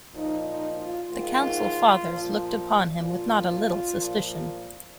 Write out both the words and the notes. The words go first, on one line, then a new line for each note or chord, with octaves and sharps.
The Council Fathers looked upon him with not a little suspicion.
A#2 F3 D#4
D#4
F4
G#2 D#3 F4
A#2 F3
A#2 F3 F4
A#2 F3